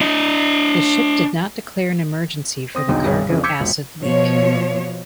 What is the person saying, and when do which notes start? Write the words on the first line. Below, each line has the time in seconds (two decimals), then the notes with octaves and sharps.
The ship did not declare an emergency for the cargo acid leak.
0.01 D4 D#5
2.75 C4 D#6 A#6
2.88 B1 E2 D3 D#4 G5 D#6
3.04 C2 G2 B2 G3 G#4 C#5
3.29 F2 C#3 F3
3.44 D6 E6 G6 G#6 B6 C#7
3.60 E1 A#1
4.00 B2 F3 C#5